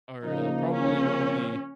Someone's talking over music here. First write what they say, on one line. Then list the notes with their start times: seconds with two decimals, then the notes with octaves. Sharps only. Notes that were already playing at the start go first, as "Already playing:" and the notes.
are, uh, probably one of the
0.24 C#3 F3 A#3 D#4
0.72 C#4